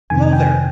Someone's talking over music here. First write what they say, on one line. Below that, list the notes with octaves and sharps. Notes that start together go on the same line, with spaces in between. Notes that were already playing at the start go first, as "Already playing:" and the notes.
Below there!
F2 C3 D#3 G#5
G5